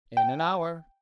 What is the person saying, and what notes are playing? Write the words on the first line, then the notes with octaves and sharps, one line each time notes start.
"In an hour."
G5